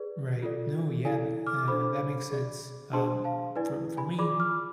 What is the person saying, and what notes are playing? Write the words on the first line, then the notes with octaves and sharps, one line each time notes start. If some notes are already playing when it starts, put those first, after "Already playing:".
Right. No, yeah. Th uh, that makes sense. Um, for for me,
Already playing: G#4 B4 D5
F4 A4 D5
E4 A4 D5 G#5
D6 F6
D4 A4 C5 B5 D6
G#4 D5
D4 G#4 C5 A5 C6
F5 A5
E4 B4 D5 G#5
G#5 B5
F4 G#4 D5 B5 D6
D6 F6